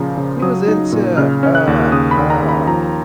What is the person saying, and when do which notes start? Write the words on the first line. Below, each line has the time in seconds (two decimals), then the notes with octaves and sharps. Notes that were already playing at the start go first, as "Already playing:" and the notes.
she was into, uh uh
Already playing: A#2 C#3 F3 A#5
0.17 C#3
0.42 F#3 D#6
0.68 D#4
0.92 A#2
1.17 C#3 F6
1.43 C#4
1.55 F#6
1.67 D#2
1.92 C#3 D#6
2.11 B5
2.17 D#2
2.30 A#5
2.43 D#2
2.49 B5
2.67 F3 A#5